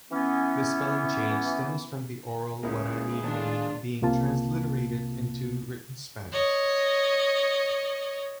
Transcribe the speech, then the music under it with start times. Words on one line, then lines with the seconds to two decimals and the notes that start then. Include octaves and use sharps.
The spelling change stems from the oral Guarani name being transliterated into written Spanish.
0.11 E3 B3 C#4
2.63 C#2 A#3 C#4 E4 G#4
3.24 D#3 G#3 B3 D4 F4
4.02 C2 C3 A#3 F4 A5
6.32 C#5 D#5